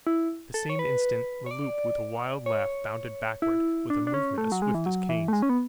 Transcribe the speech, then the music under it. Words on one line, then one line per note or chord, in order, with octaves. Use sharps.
At the same instant Le Loup with a wild laugh bounded backward with a movement as swift as Kane's.
E4
A4
C#5
B4
C#5
D5
C#5
E4
D4
D4
C#4
A3
F#3
G#3
E3
F#3
E3
A3
G#3
C#4
B3